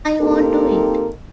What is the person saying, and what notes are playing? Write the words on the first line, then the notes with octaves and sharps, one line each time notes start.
I won't do it!
A#3 C4 D#4 G4 A4 A#4